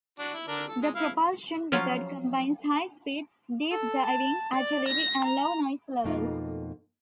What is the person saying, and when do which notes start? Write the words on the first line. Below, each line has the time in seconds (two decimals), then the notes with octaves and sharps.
The propulsion method combines high speed, deep diving, agility and low noise levels.
0.19 D4 F#4
0.34 E4
0.48 D3 D4 A#4
0.68 A4
0.82 G#3
0.95 E4 F5
1.72 F3 F#3 C#4 F4 F5
3.71 A4
4.06 A5
4.54 D5
4.88 A#6
5.25 A#5
6.04 F2 B2 A3 A#3 D#4 F4